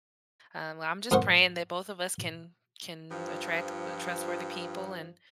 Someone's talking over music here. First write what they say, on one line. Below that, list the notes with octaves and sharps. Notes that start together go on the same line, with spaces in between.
Um, I'm just praying that both of us can can attract w trustworthy people and
F2 G#2 A#4 C5 F#5 C#6
G2 F3